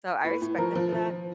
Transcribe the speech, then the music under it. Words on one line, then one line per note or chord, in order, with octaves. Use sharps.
So, I respect them for that,
A2 B4
A2
F3 A#4
F3
F3